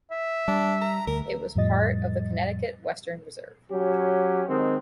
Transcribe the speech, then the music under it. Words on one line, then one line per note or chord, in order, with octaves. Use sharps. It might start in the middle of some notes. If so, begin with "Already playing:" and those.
It was part of the Connecticut Western Reserve.
E5
G3 D4
A#5
D2 A#4
F2 A2 F3 G3 D#5 A6
F#3 C#4 G4
D#3 G#3 C4